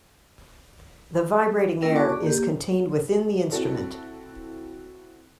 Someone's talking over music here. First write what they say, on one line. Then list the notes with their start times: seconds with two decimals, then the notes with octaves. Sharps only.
The vibrating air is contained within the instrument.
1.82 A#3 C#4 E4 A#4 D#5 G5
1.96 F#4 A5 C#6 D6
2.09 G#4 D5
2.23 A#3 G4
3.52 C4 E4 F#4 A4